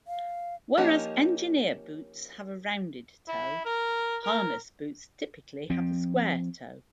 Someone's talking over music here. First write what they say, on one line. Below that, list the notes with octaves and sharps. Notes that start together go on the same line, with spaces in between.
Whereas engineer boots have a rounded toe, harness boots typically have a square toe.
F5
F3 A#3 C#4 D#4 G4
E4
A#4
A#4
F3 C4